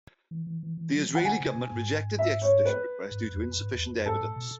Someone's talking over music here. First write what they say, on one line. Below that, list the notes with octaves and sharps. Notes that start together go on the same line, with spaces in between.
The Israeli government rejected the extradition request due to insufficient evidence.
E3
E3
E3
E3
F#3
E3
F#5
D3 G#5
C#3
B2
G#2
E5
C#5
B4
G#2
F#2
E2
F#2
G#2
E2
F#2
G#2 A4
A2
B2